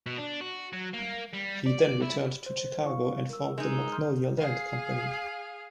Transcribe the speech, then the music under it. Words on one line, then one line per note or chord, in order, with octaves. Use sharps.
He then returned to Chicago and formed the Magnolia Land Company.
B2
D4
F#4
F#3
A#3
G3
D5
E4
C5
E4 F5 C#6
A#4 E6
G#3 D#4
C6 F6 G6
G#4 F5